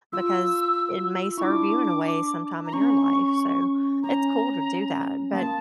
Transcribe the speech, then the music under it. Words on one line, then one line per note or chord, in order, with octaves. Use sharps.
because it may serve you in a way sometime in your life, so it's cool to do that. But
F4 E6
E4 C#6
D4 D6
A#5
C#4 C#6
C#4 A#5
A#3 A5